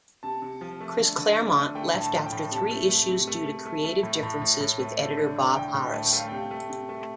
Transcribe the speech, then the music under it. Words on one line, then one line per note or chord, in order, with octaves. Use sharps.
Chris Claremont, left after three issues due to creative differences with editor Bob Harras.
C3 A5
C3
F3
A3
D3
D3
A3
D3
A3 G5
A2
A5
F3
G5
A2
C3 A5
A3
A3
C3
A3
A3
A3
A3
A2
A2
A2
A2
A3
D3
D3
D3
A2 G5
A2
A3
G5
A3 F5
C3 G5
A3
C3
A3